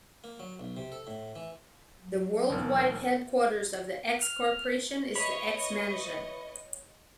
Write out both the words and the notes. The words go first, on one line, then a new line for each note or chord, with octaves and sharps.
The worldwide headquarters of the X-Corporation is the X-Mansion.
A#3
F#3
B1
C3
A4
A2
E3
F#3
E1 D#2
F6
E3 C#5 D#5 B5 C#6